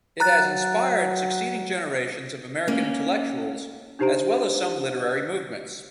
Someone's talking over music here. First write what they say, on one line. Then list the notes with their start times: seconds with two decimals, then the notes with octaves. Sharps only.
It has inspired succeeding generations of American intellectuals, as well as some literary movements.
0.20 F#3 A#5 F#6 A6
2.67 A#3 C#4
3.99 D4 D#4 G4 C5 A#5 D7